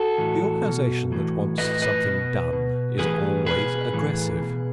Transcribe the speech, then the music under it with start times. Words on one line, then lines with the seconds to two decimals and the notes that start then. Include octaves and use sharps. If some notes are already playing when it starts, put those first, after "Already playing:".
The organization that wants something done is always aggressive.
Already playing: F#4 A4
0.18 A2 E3
0.65 B2
1.12 A2 E3
1.58 A2 E3 B4 D#5
1.82 B4 D#5
2.06 B2
2.53 B2
2.99 A2 E3 G#4 B4
3.46 B2 G#4 B4
3.93 A2 E3
4.40 B2